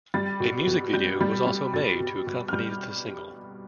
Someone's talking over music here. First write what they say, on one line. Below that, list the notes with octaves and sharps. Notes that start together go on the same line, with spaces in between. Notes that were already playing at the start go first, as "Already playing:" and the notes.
A music video was also made to accompany the single.
G3 A6
B2
B2
G3 G6
G3
G3
B2 A6
B2
B2
F6
G3 G6